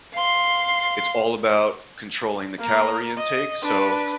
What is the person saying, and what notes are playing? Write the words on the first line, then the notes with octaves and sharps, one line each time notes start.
It's all about controlling the calorie intake, so
F5 C6
A#3 A#5
D#5
D4 B4